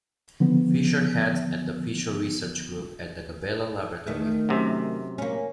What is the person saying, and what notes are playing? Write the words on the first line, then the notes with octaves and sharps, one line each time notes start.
Fisher heads the Fisher Research Group at the Gaballe Laboratory.
D3 F3 B3
D#3 A3
F#2 C3
A#3 C#4